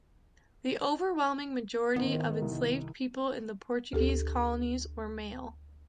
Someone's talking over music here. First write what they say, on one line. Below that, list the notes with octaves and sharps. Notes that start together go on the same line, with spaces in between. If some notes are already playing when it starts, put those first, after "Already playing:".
The overwhelming majority of enslaved people in the Portuguese colonies were male.
G#1 D#3 B3 D#4 C5
C2
D2 G4 A4